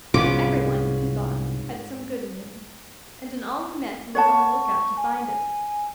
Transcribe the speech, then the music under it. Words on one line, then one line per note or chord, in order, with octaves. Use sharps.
Everyone, he thought, had some good in him, and in all he met he was on the lookout to find it.
C2 G#2 B3 C#4 F4 D6
C#5 F#5 A5 C#6
G#5